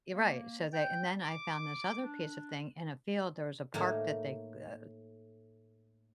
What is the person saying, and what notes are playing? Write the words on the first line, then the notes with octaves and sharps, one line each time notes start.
You're right. So they And then I found this other piece of thing in a field. There was a park that they, uh,
A#3
G5
D6
D4
A2 A#3 D#4